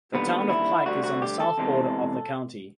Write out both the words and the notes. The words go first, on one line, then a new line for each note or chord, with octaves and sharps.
The Town of Pike is on the south border of the county.
D#2 D3 G3 B3
E4
D2 D3 G3 F#4
F#4
G4
A4
E2 C3 E3 G#3